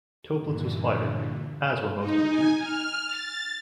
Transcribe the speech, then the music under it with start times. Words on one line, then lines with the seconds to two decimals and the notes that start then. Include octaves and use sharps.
Toeplitz was fired, as were most of the tutors.
0.41 G2 A#2 D3 E3
1.99 D#4
2.28 G#5
2.58 F6
3.06 A6